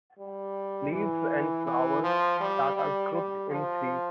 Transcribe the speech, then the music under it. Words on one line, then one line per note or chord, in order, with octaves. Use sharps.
Leaves and flowers that are grouped in threes.
G3
E3
E3
F3
G3
G3
G3
F3